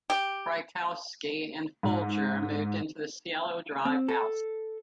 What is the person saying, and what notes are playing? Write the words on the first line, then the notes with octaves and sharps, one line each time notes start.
Frykowski and Folger moved into the Cielo Drive house.
G4
G#2
C4
A4